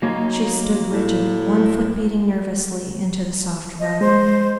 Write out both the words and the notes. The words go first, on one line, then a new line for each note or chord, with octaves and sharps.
She stood rigid, one foot beating nervously into the soft rug.
F#3 A#3 D#4 C#5
A2
D#5
G#3 C5